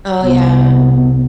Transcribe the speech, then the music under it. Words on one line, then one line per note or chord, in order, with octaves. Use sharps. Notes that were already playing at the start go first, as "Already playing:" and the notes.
Oh, yeah.
C2 B3